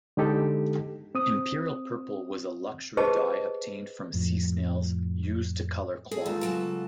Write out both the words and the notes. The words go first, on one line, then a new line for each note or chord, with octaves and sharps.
Imperial purple was a luxury dye obtained from sea snails, used to colour cloth.
D3 G#3 D#4 G4 A4
C4 D#6
G4 G#4 B4 C5 D#5 A5
F2 A2 F3
B3 G#4 A4
D#2 G#3 F4
C#3 F#3 A5